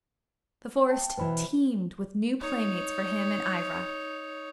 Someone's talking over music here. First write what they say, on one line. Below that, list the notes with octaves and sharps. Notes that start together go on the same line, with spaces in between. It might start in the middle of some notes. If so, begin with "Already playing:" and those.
The Forest teemed with new playmates for him and Ivra.
G5 A5
B2 E3 B4 C5 B5
D#4 C#5